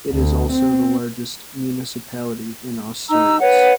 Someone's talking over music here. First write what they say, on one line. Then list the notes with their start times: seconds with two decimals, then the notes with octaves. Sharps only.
It is also the largest municipality in Asturias.
0.11 D2
0.52 C4
3.09 D#4 A#5 E6
3.40 B4 C#5 F#5